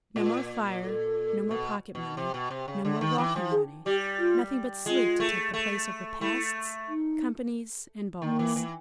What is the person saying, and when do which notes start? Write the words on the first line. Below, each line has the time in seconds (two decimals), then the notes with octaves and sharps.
No more fire, no more pocket-money, no more walking-money, nothing but sleep to take the place of repasts, companies and balls.
0.16 A#2 F4
0.83 A4
1.51 B2
1.95 B2
2.17 C3
2.34 B2
2.51 C3
2.68 C#3
2.85 D3
3.01 D#3
3.18 E3
3.36 F3
3.52 G#4
3.86 G3 G4
4.19 F4
4.86 G#3 F4
5.20 A3
5.54 A3
6.20 A3 E4
6.89 D#4
8.22 D#3 A#3
8.39 E3
8.56 E3